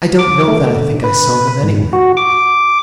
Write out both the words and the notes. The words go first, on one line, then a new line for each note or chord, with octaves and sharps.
'I don't know that I think I saw them anywhere.
D6
A3
D3
B4
G#2
F#4
D6